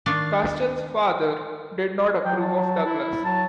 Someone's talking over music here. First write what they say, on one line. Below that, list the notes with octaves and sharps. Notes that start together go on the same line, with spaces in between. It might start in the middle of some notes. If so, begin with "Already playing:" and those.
Custance's father did not approve of Douglas.
D#3 A3 D4 A4 F5
F#3 G5
A5
E4
F#3 A5